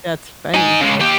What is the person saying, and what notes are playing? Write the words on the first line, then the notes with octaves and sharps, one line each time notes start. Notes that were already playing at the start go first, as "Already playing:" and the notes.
That's funny.
D#4 G#5
C#3 G#3
D#2 G4